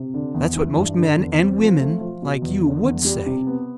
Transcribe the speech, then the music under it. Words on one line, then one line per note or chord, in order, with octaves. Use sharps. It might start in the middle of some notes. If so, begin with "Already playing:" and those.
That's what most men--and women--like you WOULD say.
Already playing: C3
D3
E2
E3
G2
D3
E2
C4
F3
A3
F3
B2
E2
D3
E2
G3
C3
B3